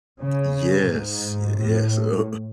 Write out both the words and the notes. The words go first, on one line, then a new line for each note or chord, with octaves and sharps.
Yes, y yes, a a uh,
C#3
G#2
A2